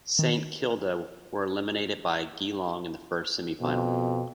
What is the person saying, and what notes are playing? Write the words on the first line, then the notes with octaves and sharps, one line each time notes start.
Saint Kilda were eliminated by Geelong in the first semi-final.
D#3
F2 B2